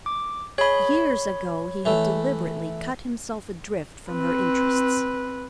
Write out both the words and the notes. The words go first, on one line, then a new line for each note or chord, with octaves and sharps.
Years ago he had deliberately cut himself adrift from her interests.
D6
G#4 C#5 D#5 B5
E3 A3
C4 B4